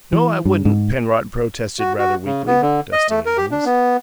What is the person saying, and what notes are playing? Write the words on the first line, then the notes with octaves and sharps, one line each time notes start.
"No, I wouldn't," Penrod protested rather weakly, dusting his knees.
E3
G2
G#2
F#4
F#4
C#3
B3
D3
D#5
A3
A#4
G4
D4
B3